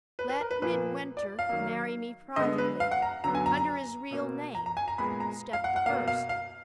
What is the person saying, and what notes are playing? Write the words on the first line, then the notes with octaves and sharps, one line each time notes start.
Let Midwinter marry me privately, under his real name--step the first!
B4
B4
A#4
B4
A#2 F3 A#3 B4
D5
F5
D#3 F#3 A#3
D3 G#3 B3 D#5
B4
F5
F#5
A#5
D3 F#3 B3 A#5
G#5
A#5
A#5
B2 A#3
A#5
A#5
G#5
A#5
A#2 G#3 B3 B5
A#5
F5
F#5
F#5
B2 A#3 F5
F5
F5